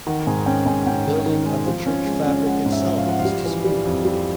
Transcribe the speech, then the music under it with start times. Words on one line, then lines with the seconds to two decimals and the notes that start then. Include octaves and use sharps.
The building of the church fabric itself is disputed.
0.07 D#3 F#5
0.27 G#2 G#5
0.46 C#4 G5
0.66 G#2 G#5
0.83 F#5
0.86 C#4 G5
1.06 D#3
1.26 D#3
1.46 G#3
1.66 F3
1.86 C#4
2.05 G#3
2.26 C#4
2.46 G#3 F#5
2.66 G#2
2.72 E5
2.86 F3
2.98 F5
3.06 F3 F#5
3.19 F5
3.25 G3
3.45 E3
3.64 G3
3.85 F2
4.05 G3